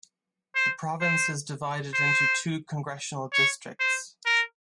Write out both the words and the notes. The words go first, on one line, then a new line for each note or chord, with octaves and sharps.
The province is divided into two congressional districts.
C5
C5
C5
C#5
C5
A#4